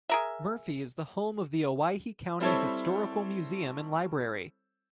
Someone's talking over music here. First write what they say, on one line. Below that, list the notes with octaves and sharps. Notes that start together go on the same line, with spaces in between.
Murphy is the home of the Owyhee County Historical Museum and Library.
G#4 A#4 E5
G3 C4 E4 A4 C5 C#5